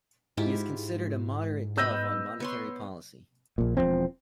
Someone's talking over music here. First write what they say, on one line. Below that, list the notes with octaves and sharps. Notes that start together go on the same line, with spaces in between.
He is considered a moderate dove on monetary policy.
G#2 E4 F4 G4
B3 D#5 B5 E6 G6 A#6
B3 C#5 C6
A#1 A#2
E1 E2 F3 C4